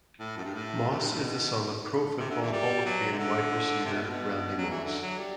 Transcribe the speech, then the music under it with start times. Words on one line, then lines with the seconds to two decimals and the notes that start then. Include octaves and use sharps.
Moss is the son of Pro Football Hall of Fame wide receiver Randy Moss.
0.20 A2
0.37 F#2
0.44 G2
0.53 A2
0.90 F#2
0.99 G2
1.10 A2
1.19 B2
2.19 C3
2.30 D3
2.41 E3
2.52 G3
2.85 F#3
3.12 C3
3.19 D3
3.85 C3
3.94 B2
4.02 A2
4.10 B2
4.58 F#3
4.70 E3
4.84 D3
5.02 F#3
5.18 G3